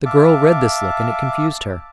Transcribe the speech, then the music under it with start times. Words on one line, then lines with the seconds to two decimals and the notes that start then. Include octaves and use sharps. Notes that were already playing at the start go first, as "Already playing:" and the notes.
The girl read this look and it confused her.
0.05 E5 F5 A5 D6